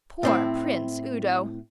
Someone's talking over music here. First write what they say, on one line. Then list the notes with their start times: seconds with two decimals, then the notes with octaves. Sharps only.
Poor Prince Udo!
0.23 A2 C4 E4